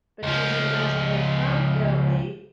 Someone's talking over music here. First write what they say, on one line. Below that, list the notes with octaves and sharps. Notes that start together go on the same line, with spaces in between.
but she's originally from Italy,
C#2 F3